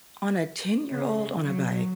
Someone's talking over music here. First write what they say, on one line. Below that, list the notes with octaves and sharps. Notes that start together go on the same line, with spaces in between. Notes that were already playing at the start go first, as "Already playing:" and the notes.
On a ten-year-old on a bike.
C#3
F#3